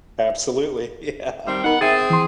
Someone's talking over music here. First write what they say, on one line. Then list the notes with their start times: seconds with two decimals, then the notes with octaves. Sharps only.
Absolutely, yeah.
1.46 D#3 G3 C4
1.64 B3 D#4 A#4 F#5
1.81 C4 G#4 E5 A6
2.10 E3 C6